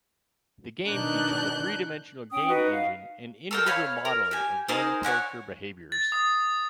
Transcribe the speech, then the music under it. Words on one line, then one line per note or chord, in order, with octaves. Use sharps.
The game features a three-dimensional game engine and individual modeling of game character behaviors.
B2 D#3 D4 F#6 G6
C#4 G5 D#6
D#4 F#4 B4
F5
A4 A#4 G5
C#5 F5 B5
A#4
G4 G#5
D#4 G#4 A#4 C5
C#5 D5 F#5 G#5
A6
D#6